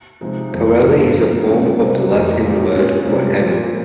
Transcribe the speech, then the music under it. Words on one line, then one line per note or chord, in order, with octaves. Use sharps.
"Coeli" is a form of the Latin word for "heaven".
C3 F3 G#3 D#4
F2 D#3 G#3
G2 F3 C4
A#2 F3 C4 D#4
C#3 G3 C#4 F4
C3 G3 C4
F2 D#3 A#3 D#4
A#2 G3 A#3 D#4
A#2 G#3 C#4 F4
C3 G3 C#4 F4
A#2 F3 A#3